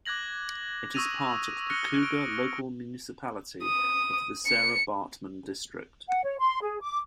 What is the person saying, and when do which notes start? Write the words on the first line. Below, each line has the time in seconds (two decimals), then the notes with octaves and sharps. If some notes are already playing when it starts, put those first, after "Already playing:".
It is part of the Kouga Local Municipality of the Sarah Baartman District.
0.06 D6 F#6 G#6 A#6 F#7
0.94 C#6 D#6 E6 A#6 D#7 F7
1.70 F6 F#6 A#6 C#7 G7
2.03 D7
3.63 D#6
4.46 C#7
6.08 F#5
6.25 C#5
6.38 C6
6.62 G#4
6.81 D6